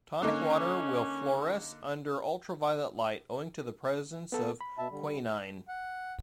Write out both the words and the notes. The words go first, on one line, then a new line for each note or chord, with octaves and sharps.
Tonic water will fluoresce under ultraviolet light, owing to the presence of quinine.
D3 A#3 C#4 D#4
B3 A4
B5
B2 E5 A5
D3 G3
F#5